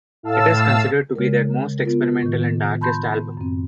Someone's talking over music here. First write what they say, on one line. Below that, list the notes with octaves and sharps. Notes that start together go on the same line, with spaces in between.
It is considered to be their most experimental and darkest album.
A2 F5 A5 E6
C#3 G#3 A#4
B3 F4 A#4
A2 D#3
A5 B5 C6 G6
F#2 C4